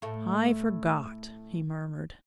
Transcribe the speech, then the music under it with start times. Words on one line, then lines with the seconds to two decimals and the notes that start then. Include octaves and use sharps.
"I forgot," he murmured.
0.02 A2 A3